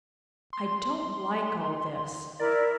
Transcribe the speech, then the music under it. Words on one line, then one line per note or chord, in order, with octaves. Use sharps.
I don't like all this.
C6
E4 A#4 D5